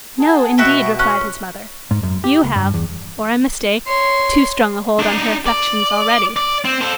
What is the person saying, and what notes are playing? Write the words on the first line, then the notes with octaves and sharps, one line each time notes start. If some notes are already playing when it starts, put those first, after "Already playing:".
'No, indeed,' replied his mother; 'you have, or I mistake, too strong a hold on her affections already.
G#4 F#5 A5
B2 F#4 E5 G5
C#4 F#6
G#2
F#2
G4
C#2
G2
E2
C#5 C6
D4 D#4
D5
D5
C4
A4 C5